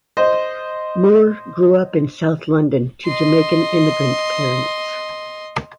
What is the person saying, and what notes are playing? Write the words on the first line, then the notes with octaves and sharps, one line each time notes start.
Moore grew up in South London to Jamaican immigrant parents.
C5 D#5
D#5 C6